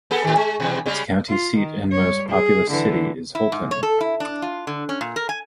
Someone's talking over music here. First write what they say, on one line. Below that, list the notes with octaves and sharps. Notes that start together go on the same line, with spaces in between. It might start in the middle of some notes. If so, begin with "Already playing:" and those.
Its county seat and most populous city is Holton.
A#3 G#4 A4
A2 D#3
G#3
B2 E3 G3
C#3 G3 G#3
F4
D#3
G3 C#5
G#4
D3 E3
E4
G#2
C#5
A4
E4
D4
F4
D3
C#4
A#2
A#4
G#5